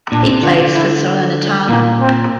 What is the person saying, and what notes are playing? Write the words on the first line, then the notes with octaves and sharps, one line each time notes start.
He plays for Salernitana.
A#2 D4
C3
D3 F4
E4
A#2 A#3
C4